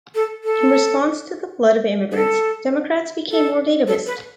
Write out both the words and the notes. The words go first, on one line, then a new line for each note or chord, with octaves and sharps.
In response to the flood of immigrants, Democrats became more nativist.
A4
A4
G#4
A4
A4
A4
B4